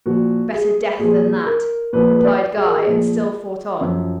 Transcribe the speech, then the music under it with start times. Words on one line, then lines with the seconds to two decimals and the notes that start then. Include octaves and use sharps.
"Better death than that," replied Guy, and still fought on.
0.06 A#2 F3 F#4
0.53 G#4
0.99 A#2 F3 G#4
1.46 A#4
1.93 A#2 F3 B4
2.20 B4
2.24 D5
2.56 G#4
2.66 A#4
2.77 G#4
2.87 A#2 F3
3.81 F#2 F3